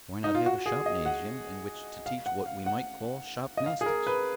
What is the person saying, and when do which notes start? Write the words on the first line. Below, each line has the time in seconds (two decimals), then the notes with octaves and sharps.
Why not have a shopnasium in which to teach what we might call shopnastics?
0.24 D#4
0.35 F4
0.46 F#4
0.66 G#4
0.86 D#5
1.06 F#5
2.06 F5
2.26 F#5
2.46 F5
2.66 F#5
3.57 D#5
3.66 F5
3.81 G#4
3.86 A#4
4.07 B4